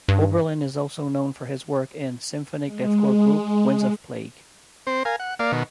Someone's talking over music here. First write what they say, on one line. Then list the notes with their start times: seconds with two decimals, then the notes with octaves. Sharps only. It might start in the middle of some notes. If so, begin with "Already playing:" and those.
Oberlin is also known for his work in symphonic deathcore group Winds of Plague.
0.09 G2
2.65 G#3
4.87 C4 C5
5.05 A#4 F5 G#5
5.20 F#5
5.39 A#3 D5 F5
5.52 B2 D#3